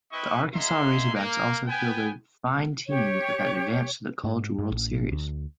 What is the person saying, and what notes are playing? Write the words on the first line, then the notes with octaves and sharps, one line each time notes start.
The Arkansas Razorbacks also fielded fine teams that advanced to the College World Series.
C4 E4 B4 D#5 G5 C#6
A#3 D#4 G#4 E5 C6
A#3
B3 G5 G#5
G4 C#5
G#2
G2
A1
D2